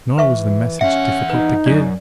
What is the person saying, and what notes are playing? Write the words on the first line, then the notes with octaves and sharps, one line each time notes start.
Nor was the message difficult to give.
E3 B4 E5 C#6
E2 C#4 E5 F#5
D#4 B4
C2 F#2 D5